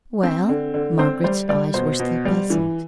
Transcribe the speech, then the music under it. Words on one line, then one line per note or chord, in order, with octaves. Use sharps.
"Well?" Margaret's eyes were still puzzled.
C4
D3
D3
C4 C5
G3 C5
G3 D5
B2 C5
B2
G3
E3